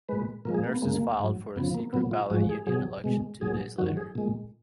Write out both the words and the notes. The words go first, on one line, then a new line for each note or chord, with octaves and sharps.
Nurses filed for a secret-ballot union election two days later.
A#2 G#3 B4
A#2 F3 G#3 A#4
G#4
A#3
B3
F#2 C#3 G#3 A#3
G#2 F#3
F#2 C#3 F3 B3
A#3
A#2 F#3 B3
F4
G#2 F3 G#3 F#4
G#4
B2 F#3 G#4
B2 G#3
A#2 F#3 G#4
F#2 D#3 F#3 F#4
G#4
A#2 G#3